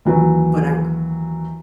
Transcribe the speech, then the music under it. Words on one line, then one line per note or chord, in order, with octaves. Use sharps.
but, I
D#2 E3 F#3